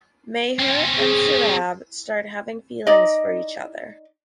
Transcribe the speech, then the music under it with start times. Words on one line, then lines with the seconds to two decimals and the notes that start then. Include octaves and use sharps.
Meher and Sarab start having feelings for each other.
0.59 C4 C#4
0.98 G#4
2.87 D#4 D5 D#5